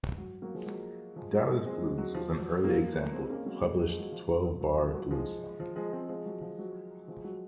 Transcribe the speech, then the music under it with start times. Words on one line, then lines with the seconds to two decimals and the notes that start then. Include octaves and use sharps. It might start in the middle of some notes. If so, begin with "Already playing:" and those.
"Dallas Blues" was an early example of published twelve-bar blues song.
0.18 F#3
0.42 F#3 A#3
0.54 F3 G#3
0.66 F#3
1.16 F3 G#3
1.32 F#3 A#3
1.48 F3 G#3
1.65 G#3 C4
1.82 F#3
1.98 F#3
2.14 F3
2.40 F#3
2.64 F#3 A#3
3.13 G#3 C4
3.30 A#3 C#4
3.46 F#3 A#3
3.62 F3 G#3
3.75 F#3
3.87 F3 G#3
3.99 F#3
4.12 F3
4.61 F#3
4.77 F3
4.94 F#3
5.10 F3 G#3
5.60 F3
5.76 F3 G#3
5.93 G#3 C4
6.08 F3 G#3
6.26 F#3
6.41 F3
6.59 F#3
7.08 F3 G#3
7.24 F#3